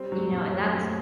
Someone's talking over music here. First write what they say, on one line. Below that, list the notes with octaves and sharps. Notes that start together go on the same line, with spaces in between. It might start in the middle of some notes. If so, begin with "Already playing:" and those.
you know, and that's
Already playing: G3 C4
F#3
A#2
A3 C#5
C4